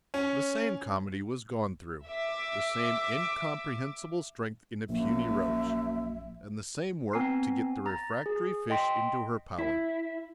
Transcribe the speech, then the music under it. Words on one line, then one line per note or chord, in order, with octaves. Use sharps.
The same comedy was gone through, the same incomprehensible strength in a puny roach, and the same work to get the refractory fish into her power.
C#4
E5 D6
A#1 F#2 A#3 E5
B3 C4 G#5 A#5 C7
A#5 A6
G#4
D#5 G5 C6 B6
E4